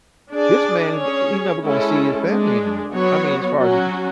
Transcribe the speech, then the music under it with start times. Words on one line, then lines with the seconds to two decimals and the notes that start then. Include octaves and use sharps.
this man, he never gonna see his family anymore, I mean, as far as his
0.32 D4 G#4 D5
0.98 C#4 G#4 C#5
1.63 G#3 C#4 E4 A4
2.27 G#3 D4 G#4
2.92 F#3 B3 F#4 C#5
3.57 F#3 C#4 F#4